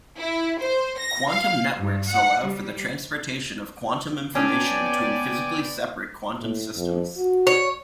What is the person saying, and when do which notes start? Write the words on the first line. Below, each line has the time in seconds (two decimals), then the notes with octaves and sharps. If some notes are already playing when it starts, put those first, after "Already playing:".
Quantum networks allow for the transportation of quantum information between physically separate quantum systems.
0.18 E4
0.60 C5
0.98 A#6
1.28 F5
1.76 G2
2.10 F#5
2.45 G3
4.35 B3 C#4 D4 D5 G5 G#5 D6
6.40 A2
6.77 F2
7.17 F#4
7.47 C#5